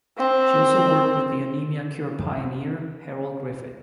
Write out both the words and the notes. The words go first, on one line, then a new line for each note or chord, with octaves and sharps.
She also worked with the anaemia cure pioneer Harold Griffith.
C4